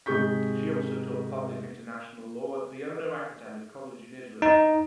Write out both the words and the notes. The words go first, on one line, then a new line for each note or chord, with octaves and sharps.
She also taught public international law at the Ono Academic College in Israel.
G#2 C3 G#4 C#6 G6 B6
D#4